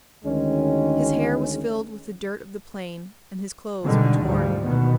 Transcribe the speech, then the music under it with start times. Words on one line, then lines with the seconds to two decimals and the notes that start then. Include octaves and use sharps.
His hair was filled with the dirt of the plain, and his clothes were torn.
0.24 D2 D#3 G#3 C#4
3.84 B2 D3 D#3 G3 G#3
4.21 D2 G#2 F3 G3
4.64 B2 D#3 B3